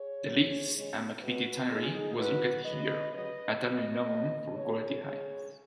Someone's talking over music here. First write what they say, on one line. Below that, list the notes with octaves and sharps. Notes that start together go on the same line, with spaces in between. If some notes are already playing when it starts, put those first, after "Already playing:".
The Leas and McVitty Tannery was located here, a tannery known for quality hides.
Already playing: G#4 C#5
C#3 F#3
C#3 G#3
C#3 G#3 F#4 B4
C#3 G#3 D#4 G#4
C#3 G#3 F#4 B4
C#3 F#3 B4 D#5
C#3 F#3 B4 D#5
B2 F#3 B4 D#5
C#3 F#3
C#3 G#3 G#4 C#5
C#3 G#3 G#4 C#5